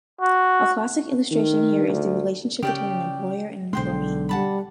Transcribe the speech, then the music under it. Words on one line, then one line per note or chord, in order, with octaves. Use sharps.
A classic illustration here is the relationship between an employer and employee.
F#4
D#3
D2
C#3 G4 D5 G5
B1 D3 G#3 C5 G5 C6
G3 F#5 A5 B5